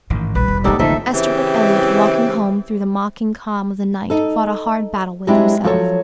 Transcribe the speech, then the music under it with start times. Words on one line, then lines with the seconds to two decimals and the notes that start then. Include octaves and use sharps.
Esterbrook Elliott, walking home through the mocking calm of the night, fought a hard battle with himself.
0.10 A1 G#2 D#3
0.35 A#1 G3 B4
0.48 E1
0.64 G#2 C3 A3 A#3 D#4 A4 D5
0.79 A1 D3 F3 C4 D#4 A4 E5
1.14 C#3 E3 C4 E4 G4
4.10 D#4 A4
5.27 F#3 G#3 C4 D4 E4 G4
5.64 F3 F#3 A4 C#5